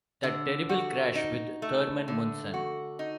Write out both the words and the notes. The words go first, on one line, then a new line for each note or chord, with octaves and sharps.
That terrible crash with Thurman Munson.
D3
F#4
D#4
A3
D3
F#4
D#4